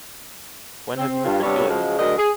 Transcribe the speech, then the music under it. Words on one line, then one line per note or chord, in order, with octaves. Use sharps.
When have you matriculated?
C4
G2 F4
G2 C3 G3 B3 C#5
C#3 F3 F#3 G#3
D2 F#3 G#3 D4 A#4 D#5
G#4